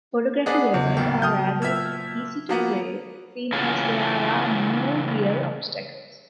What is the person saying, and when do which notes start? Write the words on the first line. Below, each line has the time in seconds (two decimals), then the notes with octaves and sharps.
Photography levels are rather easy to play, seeing as there are no real obstacles.
0.46 B3 D4 G#4 D#5 F#5 C7
0.74 E2 C#3 F#3 B3
0.97 D1 D#2 G5
1.22 F#3 A5 D#6 F6 G6
1.62 A#2 E5 E6 F6 G#6
2.49 F3 A#3 B3 F#4
3.52 A2 C#3 E3 F#3 F4 G#4